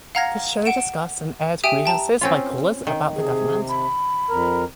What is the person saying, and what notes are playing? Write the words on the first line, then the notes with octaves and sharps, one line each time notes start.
This show discussed and aired grievances by callers about the government.
F5 F#5 A#5 F6 G#6 A#6
F#5 D7 E7
G4 E5 G5 G#5 D#6 D7
G5 A5 A#5
C4 C#4 F4
D#3
C3 G#4
B5
F2 A#4